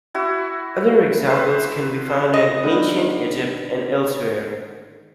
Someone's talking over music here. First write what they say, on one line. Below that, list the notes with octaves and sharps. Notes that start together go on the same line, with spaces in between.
Other examples can be found in Ancient Egypt and elsewhere.
E4 F#4
B4 C5
D#5
D3 D#3 B3